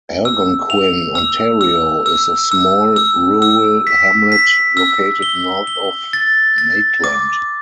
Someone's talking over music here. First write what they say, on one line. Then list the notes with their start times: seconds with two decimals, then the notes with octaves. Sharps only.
Algonquin, Ontario, is a small rural hamlet located north of Maitland.
0.25 E6
0.70 F7
1.15 E6
1.61 E6
2.06 E6
2.52 E6
2.96 E6
3.42 E6
3.87 B6
4.32 B6
4.77 E6
5.22 G7
5.67 G7
6.13 A6
6.58 A6
7.04 D6